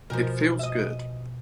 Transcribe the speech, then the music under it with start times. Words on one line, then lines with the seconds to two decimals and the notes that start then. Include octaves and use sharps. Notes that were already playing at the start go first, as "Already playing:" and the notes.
It feels good.
0.10 B2 F3 A#4 G#5 G6
0.59 D#5 E5